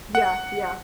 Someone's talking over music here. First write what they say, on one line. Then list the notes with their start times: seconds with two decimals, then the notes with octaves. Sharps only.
Yeah, yeah.
0.15 F#5